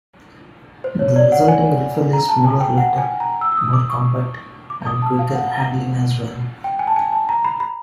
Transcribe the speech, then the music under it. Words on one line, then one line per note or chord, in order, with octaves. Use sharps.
The resulting rifle is smaller, lighter, more compact, and quicker handling as well.
C5
C#5
D5
F#5
G#5
A#5
A5
G#5
G5
F#5
G#5
A#5
E6
E6
D#6
D6
C#6
D6
D#6
A5
F5
F#5
G5
G#5
A5
G#5
A5
A#5
B5
B5